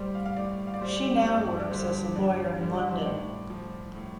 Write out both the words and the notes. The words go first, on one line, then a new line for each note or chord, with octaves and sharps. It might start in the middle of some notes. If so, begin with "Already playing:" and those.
She now works as a lawyer in London.
Already playing: A2 G3 C5 D5
F5
F5
A2 D5
F5
D5
G3 C5
D5
C5
C5
G2 D5
D5
D3 G3 C5
G2 D5
F5
D3 G3
D5
C5
A2 D5
F3
A2